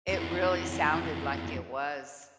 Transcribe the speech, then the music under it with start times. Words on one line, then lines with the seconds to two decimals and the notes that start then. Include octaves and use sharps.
It really sounded like it was,
0.09 F2 E3